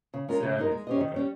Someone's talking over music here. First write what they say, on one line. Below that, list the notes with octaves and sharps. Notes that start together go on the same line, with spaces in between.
Salmon, okay.
C#3
G#3 C#4 F4 A#4
C#3
G#3 D#4 A#4
G#3
C#4 G4 C5 D#5
D#3
G3 C#4